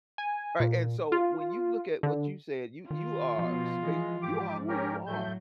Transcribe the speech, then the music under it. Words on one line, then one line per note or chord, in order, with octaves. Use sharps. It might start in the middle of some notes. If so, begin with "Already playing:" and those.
Right, and so, when you look at what you said, you you are space you are who you are.
G#5
A#2
F4
D3
D#3 F4
B2 F3
E3 G#3
G#2 G4 D6
C#4 G4 A#4
A2 F#3 A3 G6